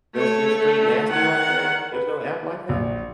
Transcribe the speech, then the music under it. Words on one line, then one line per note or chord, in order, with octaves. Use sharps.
that's just straight nasty like that, there's no app like that?
A3 C#5
A3
D#3 F#5
B4
A#1